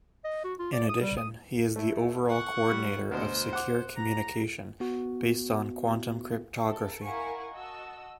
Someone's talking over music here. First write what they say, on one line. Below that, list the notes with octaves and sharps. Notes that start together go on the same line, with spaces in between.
In addition, he is the overall coordinator of Secure Communication based on Quantum Cryptography.
D#5
F#4
F4
D5
D#6
G3
D#6
A3 E4
F#5 C#6
G3
D2 B2 C5
F#5 D6
A#5
B3 F#4
A4 A#4
E4 A#4 F5 F#5 G#5 C#6
F#4 D#5 A5 E6